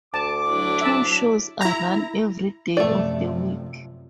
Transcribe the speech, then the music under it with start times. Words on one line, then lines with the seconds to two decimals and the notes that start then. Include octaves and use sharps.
Two shows are run every day of the week.
0.14 D2 A5 D6
0.49 F#3 D4 E4
0.81 E5 A5
1.61 E4 A#5
2.77 F#2 C3 F3 A3 D5